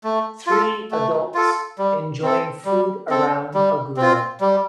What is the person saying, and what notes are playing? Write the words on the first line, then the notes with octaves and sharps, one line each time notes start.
Three adults enjoying food around a grill.
A3
F4 A4
A3
F4 A4
G3
C4 A4
G3
C4 A4
G3
C4 F4
G3